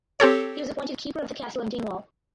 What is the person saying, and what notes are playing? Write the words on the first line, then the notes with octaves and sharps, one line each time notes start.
He was appointed keeper of the castle of Dingwall.
C4 G4 A4 C#5